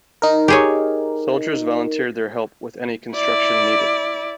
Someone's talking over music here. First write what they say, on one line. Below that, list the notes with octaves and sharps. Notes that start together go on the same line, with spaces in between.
Soldiers volunteered their help with any construction needed.
D#4 A#4
G4 G#4 C#5
E4 D5